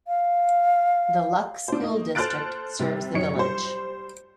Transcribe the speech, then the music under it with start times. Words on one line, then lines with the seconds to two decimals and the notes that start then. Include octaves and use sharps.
The Luck School District serves the village.
0.08 F5
1.68 D4 C5
1.81 A#3 D#4 D#5
2.15 A4 C5 F6 F#6 A6 D7
2.79 C3 G3 A6
3.14 F#2 D#4 C#5 C#7
3.36 G3 C5